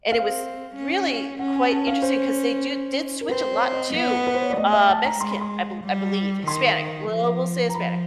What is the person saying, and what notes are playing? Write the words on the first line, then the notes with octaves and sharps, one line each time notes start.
And it was really quite interesting 'cause they do did switch a lot to, uh, Mexican, I be I believe, Hispanic. Well, we'll say Hispanic.
C4 F5
C#4
C#4 F#5
G#5
A5
F5
C5
A#4
C4 B4
C5
C#5
D#5
B3
B4
C5
C#5
D5
A3 D#5
E5
A5
A#5
G#3 C6
B5
C6
G3
D#3 C6
F3
A#5
F3 B5